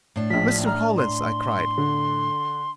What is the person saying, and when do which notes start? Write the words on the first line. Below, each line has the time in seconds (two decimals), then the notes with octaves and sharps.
"Mr. Hollins!" I cried.
0.16 A2 D4
0.30 A#1 F3 B6
0.66 A#5 F6
0.98 C6
1.78 D3